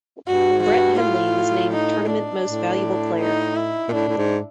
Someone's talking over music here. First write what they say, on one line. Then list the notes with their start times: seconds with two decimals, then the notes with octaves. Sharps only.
Brett Hendley was named Tournament Most Valuable Player.
0.28 G2 F#4
0.52 G#2
0.63 F#4
0.76 G2
0.95 G#2
1.00 A2 F4
1.73 D#4
2.10 D4
2.46 A2
3.20 D#4
3.56 E4
3.89 A#2
3.92 A2 D4
4.08 A2
4.17 G#2